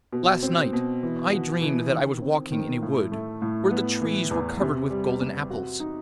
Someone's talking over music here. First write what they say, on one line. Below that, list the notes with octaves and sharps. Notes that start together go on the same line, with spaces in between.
Last night I dreamed that I was walking in a wood, where the trees were covered with golden apples.
B2
C4
B2
E3
F#4
E3
D#3
C4
D#3
A2
A3
A2
B3
E3
E2
C3
G3
C3
F#4
D#4